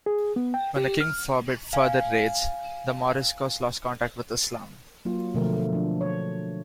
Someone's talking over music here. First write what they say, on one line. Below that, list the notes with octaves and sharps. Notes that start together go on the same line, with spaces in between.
When the king forbid further raids, the Moriscos lost contact with Islam.
G#4
B3
G5
G4
F6
F5 G#5
F#3 A#3 F4
B2 D3 F3 A3 A#4
F3 D4
C#5